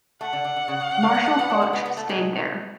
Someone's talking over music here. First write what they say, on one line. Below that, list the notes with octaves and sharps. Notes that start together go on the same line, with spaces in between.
Marshal Foch stayed there.
A3 F#5
D3
D3
D3
C#3
C#3
C#3
D3
B3
A3
B3
D4
E4
B3
B3
A3
G#3